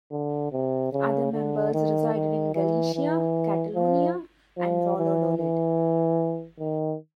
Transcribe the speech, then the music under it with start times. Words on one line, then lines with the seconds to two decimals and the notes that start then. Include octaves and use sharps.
Others members resided in Galicia, Catalonia and Valladolid.
0.11 D3
0.52 C3
0.93 C#3
1.33 D3
1.74 D#3
2.14 D#3
2.55 E3
2.95 E3
3.76 F3
4.57 F3
4.98 E3
5.38 E3
6.59 D#3